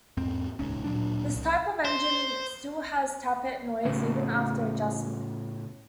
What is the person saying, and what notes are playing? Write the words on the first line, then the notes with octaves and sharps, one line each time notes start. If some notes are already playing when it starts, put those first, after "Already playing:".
This type of engine still has tappet noise even after adjustment.
E2 G#2 C4
D#1 C#2 G#2 C#4
D1 A#2 F#3 D4
C2
C5
A2 C#3